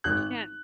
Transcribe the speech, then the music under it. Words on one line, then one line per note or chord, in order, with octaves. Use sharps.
You can't.
G#1 F#6